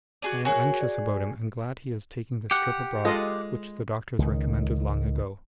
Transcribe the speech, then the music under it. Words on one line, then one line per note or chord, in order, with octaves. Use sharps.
I am anxious about him and glad he is taking this trip abroad which the doctors recommended long ago.
F#4 G#4 D5 D#7
F#4 G#4 A#4 C#5 G#5
D5
G4 F#5
G#3 F4 A4 D#5
C#2 D#3